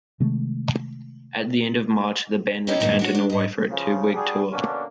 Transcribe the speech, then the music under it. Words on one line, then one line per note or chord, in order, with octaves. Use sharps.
At the end of March, the band returned to Norway for a two-week tour.
C3 D#3 G#3 A3
C#4 D#4 E4 G4 C#5 D#5
G2 A#2 D3 D#3 G#3 D#4
D4 F#4 C#5
D4
G#2 D#5
C#3 F3
G3 D4 F#4 G#4
B2 D3 A#3 C#4 D4